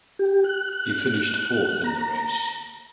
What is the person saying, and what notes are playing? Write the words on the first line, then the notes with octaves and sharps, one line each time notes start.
He finished fourth in the race.
G4
F#6
F#6
A#5